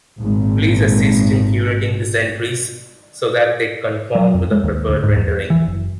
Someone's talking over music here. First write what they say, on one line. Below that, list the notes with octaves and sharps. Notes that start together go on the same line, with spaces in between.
Please assist in curating these entries so that they conform to the preferred rendering.
G#1 A#2
F#3
F2
G#3
D#2
D2
G#2
E2
E3
F#1